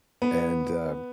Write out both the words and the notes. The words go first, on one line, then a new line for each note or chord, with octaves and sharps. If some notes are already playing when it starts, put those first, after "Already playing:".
and, uh,
B3